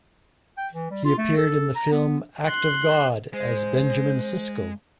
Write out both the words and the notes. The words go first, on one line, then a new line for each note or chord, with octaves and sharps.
He appeared in the film "Act of God" as Benjamin Cisco.
G5
E3
G3
F4
A3
A4
A#5
B3
C6 F#6
G#3 C5